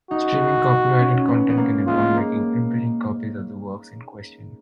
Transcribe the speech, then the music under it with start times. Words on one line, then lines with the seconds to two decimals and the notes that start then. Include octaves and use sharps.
Streaming copyrighted content can involve making infringing copies of the works in question.
0.11 D#4 F#4
0.99 C#4
1.28 B3
1.50 B3
1.57 A#3
1.87 G#3 F4
2.17 A#3